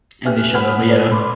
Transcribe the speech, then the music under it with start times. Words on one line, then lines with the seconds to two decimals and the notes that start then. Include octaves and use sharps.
And they should've, but yeah.
0.25 G4 B4 E5 G#5 F6 F#6
0.54 F#5 G#5 B5 F6 B6
0.87 A4 B4 D5
1.11 B5 C6 D6